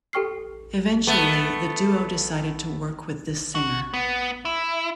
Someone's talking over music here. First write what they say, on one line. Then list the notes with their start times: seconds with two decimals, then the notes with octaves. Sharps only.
Eventually, the duo decided to work with the singer.
0.13 G4 A4 G5 C#6 F6 C7
1.07 A3 B3
3.55 F#4
3.94 B3
4.45 E4